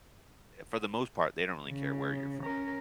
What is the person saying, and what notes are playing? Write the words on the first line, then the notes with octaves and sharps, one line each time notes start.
for the most part, they don't really care where you're from.
C#3
C#4 A#4